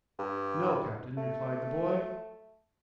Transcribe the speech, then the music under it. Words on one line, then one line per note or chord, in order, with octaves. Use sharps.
"No, captain," replied the boy.
G2
A3